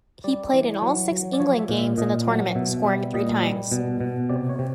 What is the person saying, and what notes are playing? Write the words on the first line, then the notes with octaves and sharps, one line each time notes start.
He played in all six England games in the tournament, scoring three times.
G3 D5
E3
F#3
F#3
D5
F3 C#5
E5
A#2
E5
A#2 D#5
F#3
B2 E5
G3 E5
A#2 D#5
G3
B2
B2
C3 D5
C#5
C3